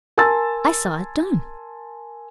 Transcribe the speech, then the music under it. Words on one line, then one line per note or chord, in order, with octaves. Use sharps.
"I saw it done."
A#4 G#5 A5 C6 E6 A6